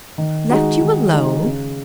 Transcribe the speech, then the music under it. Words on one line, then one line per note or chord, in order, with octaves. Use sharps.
Left you alone?'
D#3
G#3 D#4 F#4
D#3
G#3 D#4 F#4
C#3